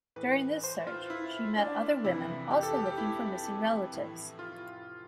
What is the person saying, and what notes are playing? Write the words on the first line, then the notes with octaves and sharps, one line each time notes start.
During this search, she met other women also looking for missing relatives.
A2 E3 B4
C5
F4
E4
D4
F2 C3 E3 E4
G4
A4
G4
G4
E4
A2 E3
F4